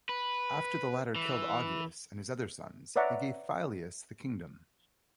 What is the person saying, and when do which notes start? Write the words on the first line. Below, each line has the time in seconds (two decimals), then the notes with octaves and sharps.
After the latter killed Augeas and his other sons, he gave Phyleus the kingdom.
0.09 B4
1.16 E3
2.96 B4 C#5 D5 E5 F#5 A#5